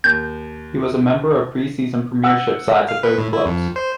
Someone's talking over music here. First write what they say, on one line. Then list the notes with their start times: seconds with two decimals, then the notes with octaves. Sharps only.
He was a member of preseason premiership sides at both clubs.
0.04 D#2 G6
2.24 F#5 E6
2.89 F5
3.03 B4
3.18 A2
3.33 E4
3.46 F2
3.76 C5